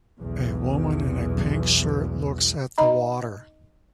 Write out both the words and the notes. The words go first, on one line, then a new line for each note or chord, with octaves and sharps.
A woman in a pink shirt looks at the water.
B1 E2
D#4 D#5 A#5 B5